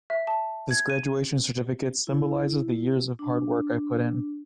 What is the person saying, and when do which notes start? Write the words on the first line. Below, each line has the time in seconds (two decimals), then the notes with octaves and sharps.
This graduation certificate symbolizes the years of hard work I put in.
0.10 E5
0.27 A5
0.71 G#6
0.90 D#7
2.07 E4
3.19 D4